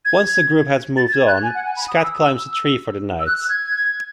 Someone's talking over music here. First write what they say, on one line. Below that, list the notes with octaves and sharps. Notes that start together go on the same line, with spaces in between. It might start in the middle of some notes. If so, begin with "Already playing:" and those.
Once the group has moved on, Skat climbs a tree for the night.
G#6
A6
G#6
F#6
G#5
F#5
G#5
B5
D#6
E6
E6
E6
F#6
F#6
G#6